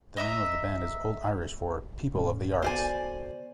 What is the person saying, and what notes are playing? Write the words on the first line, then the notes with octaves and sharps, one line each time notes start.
The name of the band is Old Irish for "people of the arts".
D#5 E5 A#5 D#6
A2 C#3 C#4
B3 F#4 A4 C5 D5 G#5